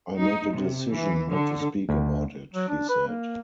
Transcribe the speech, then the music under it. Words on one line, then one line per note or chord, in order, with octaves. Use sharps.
"I made a decision not to speak about it," he said.
D#4
C3
E3
D3
D2
F#3
D4
B4
A#3